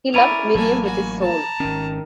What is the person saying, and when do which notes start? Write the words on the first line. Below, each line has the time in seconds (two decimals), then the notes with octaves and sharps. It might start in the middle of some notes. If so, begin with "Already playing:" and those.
He loved Miriam with his soul.
0.14 C#4 E4 A#4 D5 B5 D#7 F7
0.55 A1 F#3 A3 A#3 G#5
0.84 F#4 G#5
1.20 A5 A#5
1.60 G#1 D#3 C#4